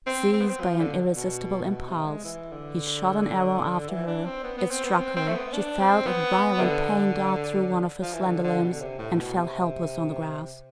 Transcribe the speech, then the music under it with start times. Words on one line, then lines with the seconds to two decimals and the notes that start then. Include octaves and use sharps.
Seized by an irresistible impulse, he shot an arrow after her; it struck her, she felt a violent pain dart through one of her slender limbs, and fell helpless on the grass.
0.07 C4
0.34 C4
0.41 B3
0.50 C4
0.61 F3
0.79 D3
1.15 B2
1.62 A2
1.70 B2
1.89 C3
2.06 G#3
2.24 E3
2.52 D3
3.89 E3
4.07 D4
4.25 C4
4.44 B3
4.58 B3
4.71 C4
4.85 B3
4.98 C4
5.17 C4
5.28 A3
5.35 B3
5.53 D4
5.80 C4
6.07 B3
6.58 C3
6.62 D3
8.02 F3
8.14 E3
8.26 D3
8.44 D3
8.62 B2
8.73 D3
8.81 C3
8.99 A2
9.17 B2
9.36 C3